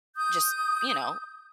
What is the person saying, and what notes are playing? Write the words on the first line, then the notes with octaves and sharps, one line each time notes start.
just, you know,
D#6 G6